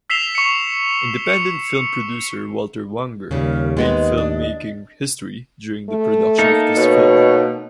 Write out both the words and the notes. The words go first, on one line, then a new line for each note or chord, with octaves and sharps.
Independent film producer Walter Wanger made film-making history during the production of this film.
E6 B6 C7 E7 F7 G7
C#6 C#7
C#7
D#2 C#3 G3 A#4
G#3 B3 C4 D#5
D4
A3
A#3 D#4 A4
B2 C#5